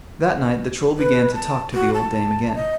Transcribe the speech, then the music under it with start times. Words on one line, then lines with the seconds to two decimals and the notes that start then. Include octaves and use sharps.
That night the Troll began to talk to the old dame again.
0.98 B4
1.34 A5
1.74 F#4
1.94 A5
2.55 D#5